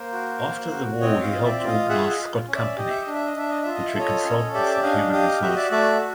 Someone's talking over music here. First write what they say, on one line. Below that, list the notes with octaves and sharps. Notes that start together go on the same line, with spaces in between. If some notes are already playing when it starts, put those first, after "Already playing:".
After the War he helped organize Scott Company, which were consultants in human resources.
Already playing: A#3 A#4 C5
F#4
A#3
F#4
C4 C#5 D#5
D#5 F5
F4
D5 E5
F4
D#5 F5
G#4 E5 F#5
D#5 F5
F4
C#4
D5 E5
G4 D#5
E5
D#5
D4
E5
D#5
D4 E5
D#5
F4 E5
D#5
E5
A4 C#5 D#5
C#4
G4 D5 E5
D4 D#5 F5
G4 D#5 F5
F#4 E5
D#5
D5 E5
A3 D5 E5